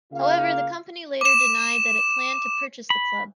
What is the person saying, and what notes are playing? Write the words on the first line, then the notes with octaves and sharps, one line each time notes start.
However, the company later denied that it planned to purchase the club.
C#3 A#3 F4 F5
D6 E7
B5